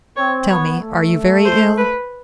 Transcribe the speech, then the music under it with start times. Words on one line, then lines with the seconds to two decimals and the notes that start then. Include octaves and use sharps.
"Tell me, are you very ill?"
0.17 C4 C#5
0.48 B3 C#5
0.80 A3
1.45 C5
1.77 B4